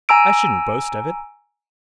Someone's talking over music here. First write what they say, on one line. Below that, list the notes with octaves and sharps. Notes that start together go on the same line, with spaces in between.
I shouldn't boast of it.
G#5 A#5 E6 D7